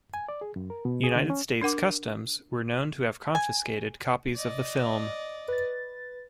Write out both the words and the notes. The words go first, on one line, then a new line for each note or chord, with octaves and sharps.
United States customs were known to have confiscated copies of the film.
G#5
D5
G#4
F#2
A#4
B2
G#4
D3
C#4
D4 A#4 F#5 D6
G#5
D5 D#5
B4 A6